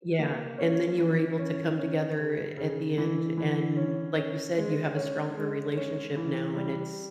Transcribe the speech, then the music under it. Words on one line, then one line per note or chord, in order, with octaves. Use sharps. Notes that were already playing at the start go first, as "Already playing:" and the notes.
Yeah, and then you were able to come together at the end, and, like you said, you have a stronger relationship now, and it's
A#3
C#4
E3
C#4
C#4
C#3
C#3
E3
E3
C#4
C#4
G#3
C#4
G#3
C#4
E3
G3